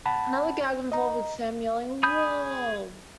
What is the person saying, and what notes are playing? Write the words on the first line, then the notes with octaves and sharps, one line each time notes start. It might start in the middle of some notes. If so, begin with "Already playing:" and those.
Another gag involved Sam yelling 'Whoa!
F#5 A5 B5
D#5 A#5
G#4 B5 D#6 G6